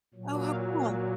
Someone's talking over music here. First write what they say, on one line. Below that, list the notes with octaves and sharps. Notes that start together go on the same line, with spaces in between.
Oh, how cool.
A#2 F#3
F5
F5